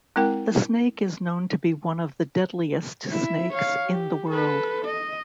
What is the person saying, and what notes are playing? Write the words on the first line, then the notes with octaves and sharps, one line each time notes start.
The snake is known to be one of the deadliest snakes in the world.
G#3 C4 E4 A#4 G5
E4 E5
C#5 F5
G4
A4 B4
D#5